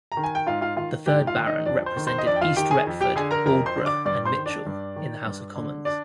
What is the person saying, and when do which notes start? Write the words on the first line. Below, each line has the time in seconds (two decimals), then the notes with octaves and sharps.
The third Baron represented East Retford, Aldborough and Mitchell in the House of Commons.
0.12 A#5
0.17 D#3
0.24 G#5
0.35 G5
0.47 G#2 F4 F5
0.61 F4 F5
0.76 D#3 F4 F5
1.06 G#2 G4 G5
1.27 F4 F5
1.36 D#3
1.47 D#4 D#5
1.66 F2 D4 D5
1.86 C5
1.97 D#3
2.07 C5
2.18 D#5
2.26 F2 D4 D5
2.36 G5
2.41 F4 F5
2.56 D#3 G4 G5
2.71 G#4 G#5
2.87 F2
3.01 G4 G5
3.16 D3 G#4 G#5
3.31 A#4 A#5
3.46 F2 A#4 A#5
3.66 C5 C6
3.76 D3
3.86 D5 D6
4.05 G2 D5 D6
4.25 C5 C6
4.36 D#3
4.46 D4 D5
4.66 G2
4.96 D#3
5.26 G2
5.56 D3
5.85 D4 D5